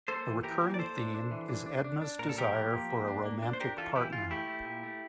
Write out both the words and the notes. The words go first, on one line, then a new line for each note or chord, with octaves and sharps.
A recurring theme is Edna's desire for a romantic partner.
A#3 A4 C5
E3
E3 G4 A#4
A#3
D5
A#3 A4 C5
D4
D4
E3
D4
D4
D4
D4
A#2 A#4
A4
F3 G4 A#4
A#3
F3
A#3
D4
A#3
D4
C5
D4 G4 A#4
E3 F4 A4
E3 E4 G4
E3 F4
A3 E4 G4
A3
A#2
A3